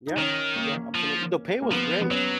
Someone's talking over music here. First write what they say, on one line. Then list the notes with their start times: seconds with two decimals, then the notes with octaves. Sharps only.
Yeah, yeah, absolutely, the pay was great,
0.07 D#4
0.17 D#3 C#4
0.56 A#3
0.95 F3
1.62 A#3
1.72 F3 B3
2.02 B3
2.11 F#3 C#4